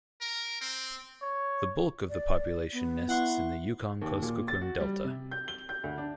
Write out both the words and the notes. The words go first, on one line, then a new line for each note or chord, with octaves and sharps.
The bulk of the population nests in the Yukon-Kuskokwim Delta.
A#4
C4
C#5
D5
B3
E4 F#5 C6 C#6
D#2
A#2
A6
F#4
G3
C3
G6
G7
G6
D2
D4